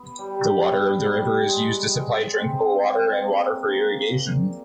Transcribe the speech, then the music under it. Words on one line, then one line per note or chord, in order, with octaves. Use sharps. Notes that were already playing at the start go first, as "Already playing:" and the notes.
The water of the river is used to supply drinkable water and water for irrigation.
Already playing: B3
G3
B3
G3
G#3
G#3
C4
G#3
A#3
A#3
A#2